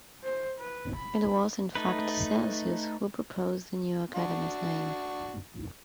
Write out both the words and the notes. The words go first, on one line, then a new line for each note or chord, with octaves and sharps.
It was in fact Celsius who proposed the new academy's name.
C5
B4
B5
A3 D#4 B4
D4 F#4